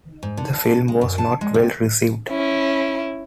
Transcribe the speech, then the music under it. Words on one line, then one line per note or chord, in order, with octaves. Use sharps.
The film was not well received.
G#2
D3
A4
G#3
F#2
A5
G#3
C3
C#4 E4